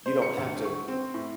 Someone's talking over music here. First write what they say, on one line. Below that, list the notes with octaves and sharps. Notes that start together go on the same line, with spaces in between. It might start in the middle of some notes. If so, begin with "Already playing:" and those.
You don't have to
C5
C#7
D2
C#6
C4
A2